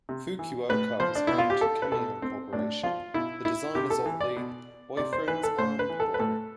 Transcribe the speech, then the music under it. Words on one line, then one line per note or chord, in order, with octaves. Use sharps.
Fukuoka was home to Kameo Corporation, the designers of the "Boyfriend's Arm Pillow".
C3
E3
A2 B4
F3 C5
D4
B2 E4
F4
G4
A4
B4
B2 A4
C4
A2 D4
F3 F4
B2 E4
E4
C3 G4
A4
E3
D5
B2
C3 D5
C5
E3 B4
A4
A2 C5
B4
E3
A4
B4
A2 A4